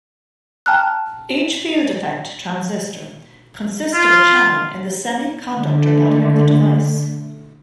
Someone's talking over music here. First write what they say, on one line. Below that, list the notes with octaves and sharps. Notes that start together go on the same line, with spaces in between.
Each field-effect transistor consists of a channel in the semiconductor body of the device.
G5 A5 A#5 F6 F#6
F4
D3 A3